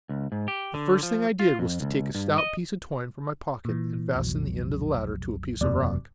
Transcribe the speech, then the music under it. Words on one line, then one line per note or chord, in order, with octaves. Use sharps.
The first thing I did was to take a stout piece of twine from my pocket and fasten the end of the ladder to a piece of rock.
C#2
G#2
G4
D3
F3
F4
F2
C#2
G2
D#5
A#2 E3
F1 B1 F#3
E1 F#2 C3 F#3 A#3 D5